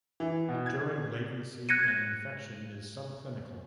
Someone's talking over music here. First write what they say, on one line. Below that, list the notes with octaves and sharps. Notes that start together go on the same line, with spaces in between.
During latency, an infection is subclinical.
E3
B2
G#6
F#6 G#6 A#6 C#7 D#7